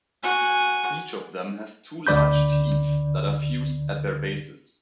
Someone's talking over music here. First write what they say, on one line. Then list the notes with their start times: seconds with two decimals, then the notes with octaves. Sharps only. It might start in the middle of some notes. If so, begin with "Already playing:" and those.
Each of them has two large teeth that are fused at their bases.
0.23 F#4 G#5
2.07 D2 D3 D5 B5 G6